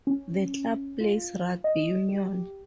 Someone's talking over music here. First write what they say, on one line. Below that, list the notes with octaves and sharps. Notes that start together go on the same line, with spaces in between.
The club plays rugby union.
C#4
F4
D#5
G4